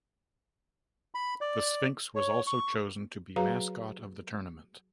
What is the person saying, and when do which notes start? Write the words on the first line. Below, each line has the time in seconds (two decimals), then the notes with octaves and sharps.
The sphinx was also chosen to be mascot of the tournament.
1.15 B5
1.41 D5
2.15 C#5
2.47 C#6
3.36 F#3 F#4 G#4 B4 F5 A#5